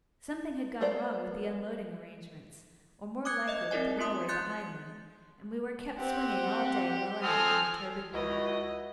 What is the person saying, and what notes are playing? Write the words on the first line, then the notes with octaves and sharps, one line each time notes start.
Something had gone wrong with the unloading arrangements, or more likely with the railway behind them, and we were kept swinging all day well out in the turbid river.
A#3 B3 C5 D5
D6 D#6 F#6 G#6 C#7
D#5 E5 G#6
C4 D#4 E4 A#4 D5 G#5
A3 B3 F4 C6 D#6
C6 F#6 G6 A6 C#7
C4 G4 F#5
F3 C4 A4 G#5 D#6 F6
C#2 E4 F#4 D#5